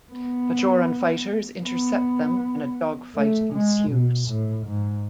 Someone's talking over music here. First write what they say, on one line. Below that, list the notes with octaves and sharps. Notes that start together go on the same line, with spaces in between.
Bajoran fighters intercept them and a dogfight ensues.
B3
B3
A3
G#3
B2
A2
G#2